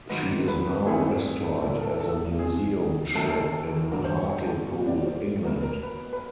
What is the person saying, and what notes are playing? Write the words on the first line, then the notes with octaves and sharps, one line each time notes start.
She is now restored as a museum ship in Hartlepool, England.
G#2 D#3 F#3 B4
B4
G2 E3 A3 C4 G#4
A2 F#3 A#3 A4
A#4
A4
A#4
A4
F2 C3 F3 G#4
F#2 D#3 F#3 A#3 A4
A#4
A4
A4
G2 D3 F#3 A#4
C5
C#5
A#2 G3 B3
D5
C5
B2 F#3 B3 A#4
A#4
B4
B4